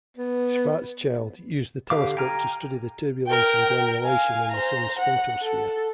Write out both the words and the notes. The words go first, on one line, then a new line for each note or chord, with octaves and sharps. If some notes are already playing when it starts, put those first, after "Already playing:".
Schwarzschild used the telescope to study the turbulence and granulation in the Sun's photosphere.
B3
D3 G4 F5 D6
G5 G#5 A#5 F6
A#4 G5
F5 G#5
C5 A#5
F#5
A4